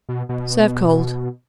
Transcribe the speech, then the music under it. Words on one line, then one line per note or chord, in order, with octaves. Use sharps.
Serve cold.
B2
B2